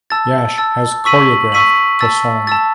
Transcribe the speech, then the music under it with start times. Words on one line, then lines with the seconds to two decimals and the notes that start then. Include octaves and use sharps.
Yash has choreographed the song.
0.10 A5 E6 A6
0.58 A5 E6 A6
1.05 C#6 E6 B6 D#7 F#7
1.52 C#6 E6 B6 D#7 F#7
2.01 A5 E6 A6
2.47 A5 E6 A6